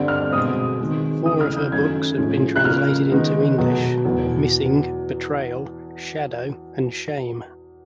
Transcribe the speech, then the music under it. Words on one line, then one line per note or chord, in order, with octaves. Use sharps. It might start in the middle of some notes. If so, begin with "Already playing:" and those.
Four of her books have been translated into English: "Missing", "Betrayal", "Shadow" and "Shame".
Already playing: G2 D3 G3 C4
F6
B2 G#3 C4 D#6
D#3 G#3 C4
C#3 E3 A3 D#6
F6
G6
F#2 D#3 F#3 A3 C#4 G#6
A2 F3 G#3 C#4
F#6
C#3 F3 A#3 F6
D#3 G#3 B3 D#4
B2 F#3 B3
E2 B2 F#3